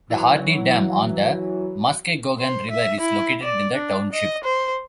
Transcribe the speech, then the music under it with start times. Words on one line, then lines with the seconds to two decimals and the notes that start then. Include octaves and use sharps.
The Hardy Dam on the Muskegon River is located in the township.
0.10 E3 F#3
2.39 C5
2.71 E5
3.00 E4
3.42 D5
3.74 D4
4.12 D#5
4.44 C5